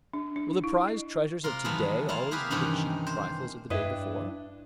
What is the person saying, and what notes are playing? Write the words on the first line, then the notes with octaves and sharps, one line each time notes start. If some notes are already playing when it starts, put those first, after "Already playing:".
Will the prized treasures of to-day always be the cheap trifles of the day before?
D4
D4
E4
D#5
C3 F4 A#4 C6
D#3 E3 F#3 G#3 A3 B3
A#3 E4 F4 F5
A#3 G4 G#4 A#4 B4
G2 C3 D#3 E3 C#4
C5
G2 D4 E4 B4 D#5